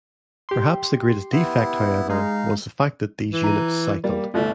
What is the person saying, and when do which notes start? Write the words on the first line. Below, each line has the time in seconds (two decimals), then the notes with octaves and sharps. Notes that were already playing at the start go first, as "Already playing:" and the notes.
Perhaps the greatest defect, however, was the fact that these units "cycled".
0.49 G4 C6
1.32 B3 E4
2.10 G#3 D#4 F5
3.31 E3
3.44 A#5 D#7
4.04 G3 A#3
4.34 G1 C2 A3